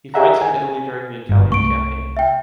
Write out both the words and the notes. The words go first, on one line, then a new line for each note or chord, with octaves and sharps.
He fights in Italy during the Italian campaign.
G4 G#4 D#5 E5 F#5 A#5
G#5
G1 G2
C2 A3 C#6 D7
E5 G5